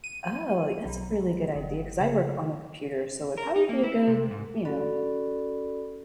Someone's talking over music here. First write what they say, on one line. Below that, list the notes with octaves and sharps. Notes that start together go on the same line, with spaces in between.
Oh, that's a really good idea 'cause I work on a computer, so, it probably be a good, you know,
D#7
B1
G1
C#3
A#4
D#4
A#3
E4
C3
G#2
C#4 F#4 A4 D5 B5